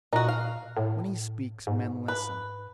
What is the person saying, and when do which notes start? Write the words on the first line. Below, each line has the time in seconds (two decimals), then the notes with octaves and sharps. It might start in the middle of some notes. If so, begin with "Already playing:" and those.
When he speaks, men listen.
0.13 A#2 D#4 F#4
0.28 F5
0.77 A2
1.67 G#2
2.08 B4